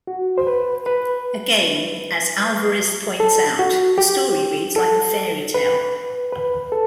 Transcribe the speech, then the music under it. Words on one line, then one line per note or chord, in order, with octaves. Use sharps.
Again, as Alvarez points out, the story reads like a fairy tale.
F#4
C5
B4
B4
A4
F#4
G4
A4
B4
B4
A4